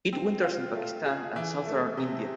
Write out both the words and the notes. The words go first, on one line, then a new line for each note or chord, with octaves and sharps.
It winters in Pakistan and southern India.
C4
F4
A3
G#4
E3
A3
C3